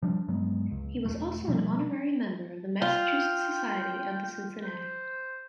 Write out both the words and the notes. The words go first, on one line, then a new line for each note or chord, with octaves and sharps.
He was also an honorary member of the Massachusetts Society of the Cincinnati.
F3 G3 D4
G2 F#3 G#3 B3
C#2
E1 A3
B2 F3 G3
F4 G5
C5